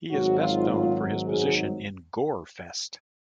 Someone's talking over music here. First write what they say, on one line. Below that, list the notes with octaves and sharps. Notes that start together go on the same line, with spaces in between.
He is best known for his position in Gorefest.
G#1 G#2 F#3 F#4
F4
F4
G#4